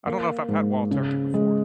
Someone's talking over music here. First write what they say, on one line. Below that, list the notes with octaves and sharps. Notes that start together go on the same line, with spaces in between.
I don't know if I've had wild turkey before.
A#3
G#2
C#3
G#3